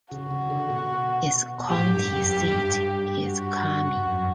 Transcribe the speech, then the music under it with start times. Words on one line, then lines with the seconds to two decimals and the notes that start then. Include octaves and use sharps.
Its county seat is Carmi.
0.11 C#3 F#4
0.31 C#3
0.50 D3
0.70 B2
1.69 A2 G4
1.89 G2
2.08 F#2
2.28 F#2
2.47 G2
3.26 F#4
4.06 F#2